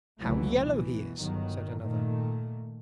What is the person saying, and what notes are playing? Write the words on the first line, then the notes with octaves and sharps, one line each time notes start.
'How yellow he is!' said another.
F1 C#2 D3 E3 F#3 A3
B2 E3
G1 D#3 F#3
A#2 D#3 A3